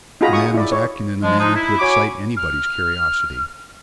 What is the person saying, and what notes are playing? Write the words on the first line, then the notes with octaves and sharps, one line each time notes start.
The man was acting in a manner to excite anybody's curiosity.
D#4 F4 F#4 G#4 A#5 B5
C#6 D#6
E4 D5
C#5
F3 G#3
F3 G#3 D4 D#4 F4 D#6
E4
F#4 C#5 G#5 B5 D6
F6